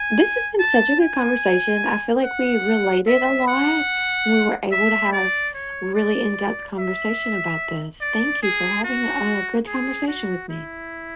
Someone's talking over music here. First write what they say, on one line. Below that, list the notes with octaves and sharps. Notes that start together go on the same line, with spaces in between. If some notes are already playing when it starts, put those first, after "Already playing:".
this has been such a good conversation. I feel like we related a lot and we were able to have really in-depth conversation about this. Thank you for having a, uh, good conversation with me.
Already playing: G#5
A5
G#5
F#5
E5
F#5
E5
D5
C#5
D5
E5
D5
G#4
F#4
G#4
F#4
E4